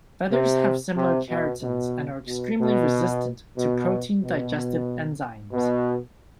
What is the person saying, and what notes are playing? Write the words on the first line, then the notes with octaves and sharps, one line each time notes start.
Feathers have similar keratins and are extremely resistant to protein digestive enzymes.
C3
C3
B2
B2
B2
B2
B2
B2
B2